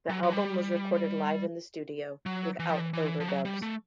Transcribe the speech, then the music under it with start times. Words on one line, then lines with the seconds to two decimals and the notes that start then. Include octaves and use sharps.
The album was recorded live in the studio, without overdubs.
0.09 F#3
0.23 F#3
0.33 G3
2.26 F#3
2.59 E3
2.70 F3
2.79 E3
2.93 E3
3.20 F3
3.28 F#3
3.45 G3
3.62 A3